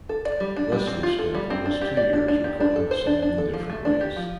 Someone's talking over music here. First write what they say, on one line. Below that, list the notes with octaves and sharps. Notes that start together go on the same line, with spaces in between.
Wesley spent almost two years recording the song in different ways.
A4
D5
G3
D4
G3
C4
F4
A4
G3
C4
D4
G4
D5
D4
D4
G4
D4
A4
C5
D4
D4
A4
F3
A3
D4
G4
F3